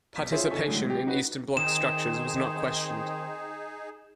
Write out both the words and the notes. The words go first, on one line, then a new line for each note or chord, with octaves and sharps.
Participation in Eastern Bloc structures was not questioned.
B1 B6
E4 F4 G#4 C5 C#5 E5
C#3 D#4 A4 G#5 C#6 B6
A2 D3 F#3 G#3
G4
D#4 F#4 B4
D#3 C4 D#4 G#4 E7